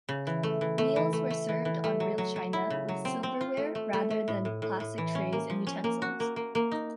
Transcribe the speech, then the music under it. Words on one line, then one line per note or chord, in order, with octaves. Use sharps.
Meals were served on real china, with silverware, rather than plastic trays and utensils.
C#3
E3
A3
E3
A3
E3
A3
A3
E3
E3
A3
F#3
F#3
F#3
E4
C#3
F#3
C4
C4
F4
A3
A3
A3
A3
A2
A2
A2
A2
E3
C#4
A#3
F3
C#4
A#3
F#4
A#3
A#3
A#3
D#4